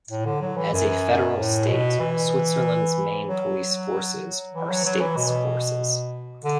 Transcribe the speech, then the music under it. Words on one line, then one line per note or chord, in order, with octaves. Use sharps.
As a federal State, Switzerland's main police forces are states forces.
A2
D3
F#3
E3
F#2
A2
B2
E3
F#3
E3
F#3
F#3
E3
B2
D3